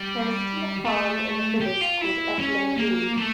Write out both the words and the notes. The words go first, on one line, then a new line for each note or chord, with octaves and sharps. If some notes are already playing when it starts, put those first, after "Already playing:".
There is still a farm in the village called Ednoe-vean.
Already playing: G3
A3
G4
F4
E4
C#4
A#3
A3